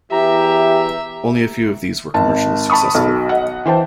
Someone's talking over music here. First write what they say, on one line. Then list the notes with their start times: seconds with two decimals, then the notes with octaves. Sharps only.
Only a few of these were commercially successful.
0.12 E2 E3 G4 E5 A#5
2.14 G#1 A5
2.70 A5 B5 C#6 D#6
2.94 B1
3.29 D#5 F#5
3.65 E3 C5 G5 A5